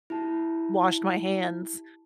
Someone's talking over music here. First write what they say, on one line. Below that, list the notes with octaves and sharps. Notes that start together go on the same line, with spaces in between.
washed my hands.
E4 G4 A5